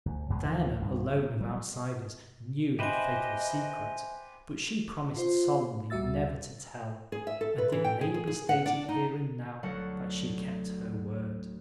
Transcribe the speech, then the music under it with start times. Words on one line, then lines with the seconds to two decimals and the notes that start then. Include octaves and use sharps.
Diana alone of outsiders knew the fatal secret, but she promised solemnly never to tell, and it may be stated here and now that she kept her word.
0.06 D2
0.30 A1 F#2 B2 G#3
0.45 D2 E3 F3
0.79 C2 G2 C3 D#3
1.17 A#2
1.41 F#3 G3
2.79 G4 B4 C5 D#5 E5 G#5
5.17 F4 C5
5.90 D2 G3 F#4 E5 E6 A6
7.12 G#4
7.27 E5
7.41 A4
7.58 B4
7.72 E3
7.84 G5
8.01 G#4
8.14 G#4
8.27 G#4
8.49 F#5
8.66 D4
8.89 D#4
9.63 D2 F#3 A4 F#5